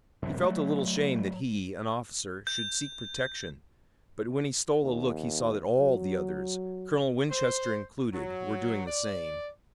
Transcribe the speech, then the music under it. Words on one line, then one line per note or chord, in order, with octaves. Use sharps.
He felt a little shame that he, an officer, should seek protection, but when he stole a look he saw that all the others, Colonel Winchester included, were doing the same.
E1 A1 F#2 C3
F#3 A3
G6
D#2
F#3
C5
F#3
D5